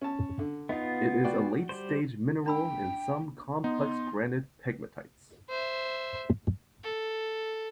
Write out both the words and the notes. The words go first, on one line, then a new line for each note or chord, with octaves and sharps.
It is a late-stage mineral in some complex granite pegmatites.
C#4 A5
D3
B3 D#4 F4
F#4 D5 G5
G3 C5
D4 G5 B5 E6
B3 D#4 C6
C5 E5
A4